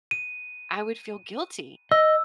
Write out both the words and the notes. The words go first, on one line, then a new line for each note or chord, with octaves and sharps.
I would feel guilty
D#7
D#5 E6